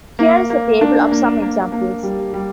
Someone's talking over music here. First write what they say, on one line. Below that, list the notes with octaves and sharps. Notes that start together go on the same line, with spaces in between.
Here is a table of some examples.
A#3
A#3
D4
A#3
A#3
A#3
G3
G3